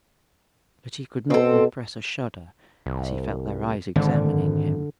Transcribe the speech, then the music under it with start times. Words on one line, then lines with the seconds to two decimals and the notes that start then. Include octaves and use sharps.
But he could not repress a shudder as he felt their eyes examining him.
1.30 B2 C4 A4
2.86 C2
3.96 G#1 D3